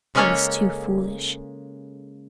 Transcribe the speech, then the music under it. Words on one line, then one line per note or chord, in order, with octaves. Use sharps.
It was too foolish.
C#3 G#3 A#3 C#4 A4 C#5